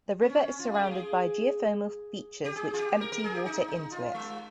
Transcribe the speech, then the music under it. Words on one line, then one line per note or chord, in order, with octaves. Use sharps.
The river is surrounded by geothermal features which empty water into it.
C4
C#4
C#4
F4
G#4
G4
G#4
G4
G#4
F4
G4
A#4
A#4
G#4
G4
D#4
D#4
F4
G#3